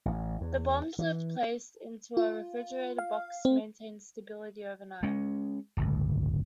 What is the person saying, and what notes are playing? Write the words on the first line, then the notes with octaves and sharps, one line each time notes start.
The bombs were placed into a refrigerated box to maintain stability overnight.
A1
E2
E3
F4
F5
C4
G#3 C#4
D1 G1 C#2